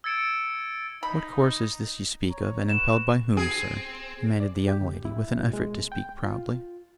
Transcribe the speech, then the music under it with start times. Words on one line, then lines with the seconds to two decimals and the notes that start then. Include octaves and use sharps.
'What course is this you speak of, and impelled by whom, sir?' demanded the young lady, with an effort to speak proudly.
0.04 E6 G#6 A6 C#7 D7 E7
1.03 D#4 B5
2.29 C#5 A#5
2.69 F#4 B4 E7
3.37 C4 G#4
4.40 D5
4.68 G4
4.81 D2
5.05 E4
5.39 B2
5.53 G#3
5.92 G5
6.23 F4